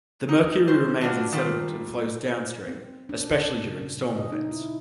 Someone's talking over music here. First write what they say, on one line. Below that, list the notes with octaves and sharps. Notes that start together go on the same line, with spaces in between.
The mercury remains in sediment and flows downstream, especially during storm events.
D#4
D#3 C5
G2 D4 F4 F#4
D#3 G3 F4
C4
D4
C#3
A#2
D#5
D#4
E4